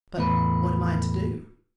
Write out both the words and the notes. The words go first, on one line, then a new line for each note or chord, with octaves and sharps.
But--what am I to do?
E2 A2 B4